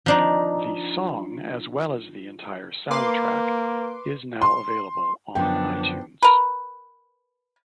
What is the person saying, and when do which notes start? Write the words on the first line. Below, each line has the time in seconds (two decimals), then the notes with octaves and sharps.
The song, as well as the entire soundtrack is now available on iTunes.
0.06 F3 D4 D#4
2.91 A#3 B4 C6 D6
4.42 C6
5.35 F#2 D3 F3 B3 D4 G5
6.22 A#4 B4